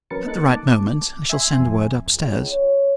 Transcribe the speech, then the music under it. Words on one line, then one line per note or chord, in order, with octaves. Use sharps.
At the right moment, I shall send word upstairs.
F#3 C#4 A#4 B4 A6 C#7
A#3 D#4 A4 F#6 A6 C#7
A5 D6
E5 G#5 C6
F2 G#5
C#2
C#5